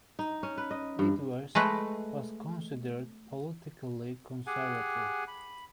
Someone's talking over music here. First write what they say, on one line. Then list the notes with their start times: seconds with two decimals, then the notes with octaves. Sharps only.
Edwards was considered politically conservative.
0.19 D#4
0.43 C#4
0.57 B4
0.71 D#5
0.99 G2
1.55 G#3 A3 B4 D#5
4.47 G4 G#4 F#5 G#5
5.28 B5